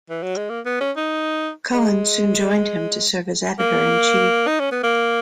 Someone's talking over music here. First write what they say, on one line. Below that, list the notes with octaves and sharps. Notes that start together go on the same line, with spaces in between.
Cowan soon joined him to serve as editor in chief.
E3
F#3
G#3
A#3
B3
C#4
D#4
G#3
A#3
D#4
C#4
B3
A#3